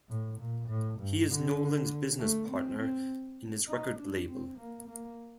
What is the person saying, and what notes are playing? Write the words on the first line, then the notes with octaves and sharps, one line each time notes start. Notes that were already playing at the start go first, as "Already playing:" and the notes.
He is Nolan's business partner in his record label.
A2
A#2
A2
G2
D3
A3
C4
C4
D#4
D4
C4
A#3
A#3